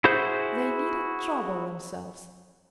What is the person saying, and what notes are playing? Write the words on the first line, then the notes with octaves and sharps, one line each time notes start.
They needn't trouble themselves!
E4 F#4 G#4 C5 G6